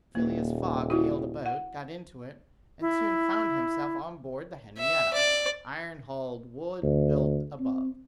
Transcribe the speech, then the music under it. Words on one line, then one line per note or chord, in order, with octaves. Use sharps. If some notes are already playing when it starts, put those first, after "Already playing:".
Phileas Fogg hailed a boat, got into it, and soon found himself on board the Henrietta, iron-hulled, wood-built above.
D#1 A#3
E4 F#4
F#5
E4
E5
D5
D2
C4